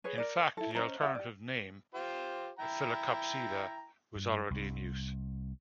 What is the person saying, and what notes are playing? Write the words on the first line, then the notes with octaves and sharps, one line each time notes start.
In fact the alternative name Filicopsida was already in use.
G#4 B4 C#5
A#4 D5
E4 A4
C#4 C5 D#5 A#5
G4 E5 F#5
G4 D5
F4 G4 C5
E4 G5 A#5
G2
C2